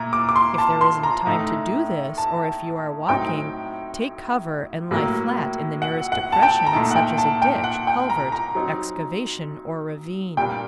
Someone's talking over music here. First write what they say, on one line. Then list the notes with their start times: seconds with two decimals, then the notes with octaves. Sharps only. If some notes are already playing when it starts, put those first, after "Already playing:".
If there isn't time to do this--or if you are walking--take cover and lie flat in the nearest depression, such as a ditch, culvert, excavation, or ravine.
Already playing: A#2 A3 A#5
0.13 D6
0.29 D6
0.36 C6
0.58 A5
0.81 C6
1.03 A#5
1.27 A2 A3 D#4
2.18 A5
3.09 A2 F#3 C4 D#4 G5
4.91 A2 F#3 A#3
5.82 F#5
6.12 F#5
6.32 A5
6.43 G5
6.66 A#5
6.73 A#2 A3 D#4 A5
6.91 F#5
6.96 G5
7.18 A5
7.42 G5
7.64 F#5
7.87 G5
8.10 A#5
8.32 A#5
8.55 F#3 C4 D#4
10.37 A#2 G3 A#3 D4 G5